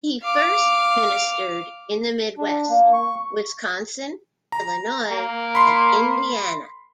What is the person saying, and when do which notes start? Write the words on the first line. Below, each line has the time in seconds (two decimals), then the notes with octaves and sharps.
He first ministered in the Midwest: Wisconsin, Illinois and Indiana.
0.22 F5 D6
2.38 D4
2.69 A#3
2.93 C#6
4.52 A#5
5.11 A#3
5.55 B5 C6